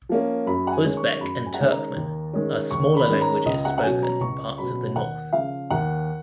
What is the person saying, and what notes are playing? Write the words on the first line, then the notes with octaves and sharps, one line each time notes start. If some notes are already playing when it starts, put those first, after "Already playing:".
Uzbek and Turkmen are smaller languages spoken in parts of the north.
F3 A#3 C#4
F#2 B5
F#5
G#5
D#3 G#3 C#4
C#6
F#2 B5
G#5
F#5
D#3 G#3 C#4 G#5
A#5
D#2
D#3 G#3 C#4
D#2 C#6
B5
D#3 G#3 C#4
A#5
C#2 D#5
F#5
F#5
B2 F#3 C#4 G#5
A#5
C#2 C#6
B2 F#3 C#4 B5
D#2 F#5
C#3 F3 F5
D#2 F#5